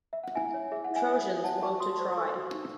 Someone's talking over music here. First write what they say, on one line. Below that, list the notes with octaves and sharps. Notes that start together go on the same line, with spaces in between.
Trojans, woe to Troy!
E5
F#5
E4 E5 G#5
C#5
G#4 E5
F#5
E4
E5 G#5
C#5 E5 G#5
F#4
C#5 F#5 A5
F#4 A5 C#6
F#4 C6 D#6
C5
A4 C#6 E6
F#4
D#4